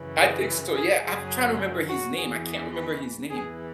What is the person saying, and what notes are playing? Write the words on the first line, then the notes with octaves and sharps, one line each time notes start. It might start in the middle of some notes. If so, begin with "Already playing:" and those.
I think so, yeah. I'm trying to remember his name, I can't remember his name.
Already playing: F#2 C#3 E3
G#4
G#4
F#2 C#3 F#3 G#4
F#4
E2 E3 G#4
G#4
B4
E2 E3 G#4